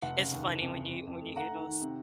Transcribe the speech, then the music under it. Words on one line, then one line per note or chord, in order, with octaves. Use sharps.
It's funny when you when you hear those
F1 F#5
C#3
D#2
F#1
F2
F2
F2
F2
A3
A3 F#5 A#5
D#3
D#3
C3